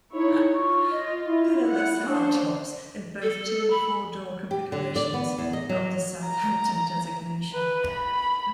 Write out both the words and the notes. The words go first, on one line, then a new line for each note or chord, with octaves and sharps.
Pillarless hardtops, in both two and four door configurations, got the Southampton designation.
D#4 E4 C#5
F4 C#6
D#5
E4
F#5
C#4 D4 C5
A4
B5
G4
D3
D5
B3
E2
D#5
F#3
A#5
B4
B5